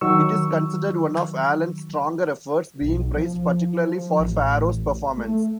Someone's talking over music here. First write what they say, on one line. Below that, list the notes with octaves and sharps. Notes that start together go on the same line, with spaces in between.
It is considered one of Allen's stronger efforts, being praised particularly for Farrow's performance.
D#3 F#3 C#6 E6
B1
F3
A1
A3